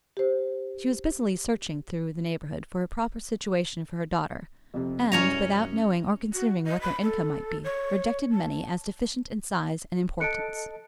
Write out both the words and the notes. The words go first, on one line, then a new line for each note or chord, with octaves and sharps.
She was busily searching through the neighbourhood for a proper situation for her daughter, and, without knowing or considering what their income might be, rejected many as deficient in size and importance.
G4 C5
F2 C3
C2 F#2 C#4 C#5 A#5
F#4
D#5
B5
A4
C#5
A5
A4 D#5 A5 F#6 C#7 D7